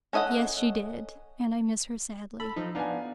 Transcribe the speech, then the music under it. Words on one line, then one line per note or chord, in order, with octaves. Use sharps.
'Yes, she did; and I miss her sadly.
C#4 A4 D#5 F5 F#5
A4 B5
F3 D#4
B3 D4 D#4 F5 G#5